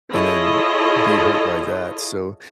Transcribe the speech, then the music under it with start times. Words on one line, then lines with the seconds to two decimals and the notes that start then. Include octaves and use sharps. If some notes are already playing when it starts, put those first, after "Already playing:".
and then be hurt by that, so,
0.10 E4 F4 G#4 A4 C#5 D#5